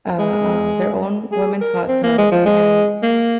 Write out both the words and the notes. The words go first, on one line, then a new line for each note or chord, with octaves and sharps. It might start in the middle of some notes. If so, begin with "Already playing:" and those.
uh uh, their own women's hot tub, and
G#3
G#4
A#4
C4
A#3
G#3
F3
G#3
A#3